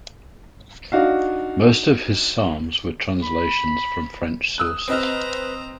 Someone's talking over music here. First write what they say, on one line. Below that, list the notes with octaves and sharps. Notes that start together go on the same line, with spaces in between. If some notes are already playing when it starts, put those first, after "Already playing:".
Most of his Psalms were translations from French sources.
D4 D#4 F#4 F5
B5
D#6 E6 F#6
C4 B4 C5 D#5 A#5 F6